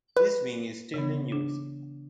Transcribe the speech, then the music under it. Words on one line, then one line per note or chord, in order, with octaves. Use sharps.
This wing is still in use.
B4
C#3 E3 B3
D4